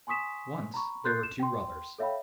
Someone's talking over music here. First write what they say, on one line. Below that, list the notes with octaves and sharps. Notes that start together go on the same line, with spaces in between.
Once there were two brothers.
G#5 C6 C#6 D#6 B6 E7
A#5 B5 C#6
A4 C6 F#6 G6 A6 C7
E7
G5 C6
A4 C#5 E5 F5 G5 B5